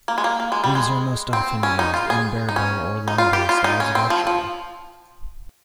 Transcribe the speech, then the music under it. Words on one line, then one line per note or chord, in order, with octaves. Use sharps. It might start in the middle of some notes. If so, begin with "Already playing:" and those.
These are most often used in barebow or longbow styles of archery.
A#3
G#3
A#3
A#3
G#3
G3
G#3
C4
C#4
D#4
F4
G#4
D#4
C#4
D#4
F4
G4
F4
D#4
C#4
C4
F3
F3